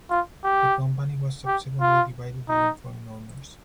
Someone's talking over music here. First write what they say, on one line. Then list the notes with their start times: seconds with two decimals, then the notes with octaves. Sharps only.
The company was subsequently divided between foreign owners.
0.10 F4
0.44 G4
1.46 G4
1.81 F4
2.49 D#4